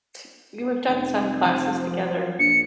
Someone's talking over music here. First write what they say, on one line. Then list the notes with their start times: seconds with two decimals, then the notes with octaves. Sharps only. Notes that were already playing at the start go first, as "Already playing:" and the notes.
t y we've done some classes together.
0.88 F1
1.46 F3
2.39 A#1 C#7